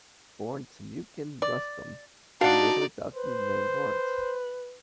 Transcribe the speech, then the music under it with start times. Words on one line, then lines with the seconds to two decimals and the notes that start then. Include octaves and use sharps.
Born Timucin Rustem, he later adopted the name Lawrence.
1.42 D5
2.41 D4 D#4 F#4 D5 F5 F#5
3.15 B4 C5